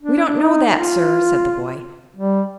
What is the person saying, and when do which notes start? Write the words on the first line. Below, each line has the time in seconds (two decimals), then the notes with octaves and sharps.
"We don't know that, sir," said the boy.
0.02 D4
0.26 D4
0.38 D#4
0.74 F4
2.17 G3